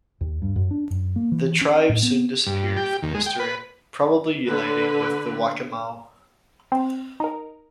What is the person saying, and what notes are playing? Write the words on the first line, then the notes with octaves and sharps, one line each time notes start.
The tribe soon disappeared from history, probably uniting with the Waccamaw.
D#2
G2
F#2
D4
F#2
A#3
E3
C#4
A2
B3
G2
G4
D#2
G#3
G5
B4
D3 B4
C4
D#4 A#4